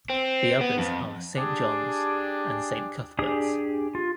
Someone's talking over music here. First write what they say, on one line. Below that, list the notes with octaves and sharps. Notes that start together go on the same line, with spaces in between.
The others are Saint John's and Saint Cuthbert's.
C4
B3
F2
D4 G4 G#4
D4 G4 G#4 D#6
F4